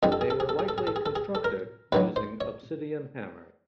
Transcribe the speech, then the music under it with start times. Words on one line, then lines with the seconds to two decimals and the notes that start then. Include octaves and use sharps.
They were likely constructed using obsidian hammers.
0.03 F2 D3 G3 G#4
0.12 A4
0.21 G#4
0.30 A4
0.40 G#4
0.49 A4
0.59 G#4
0.69 A4
0.78 G#4
0.87 A4
0.96 G#4
1.06 A4
1.16 G#4
1.35 A4
1.44 A#4
1.92 D#2 D3 F#3 B4
2.16 C5
2.41 C#5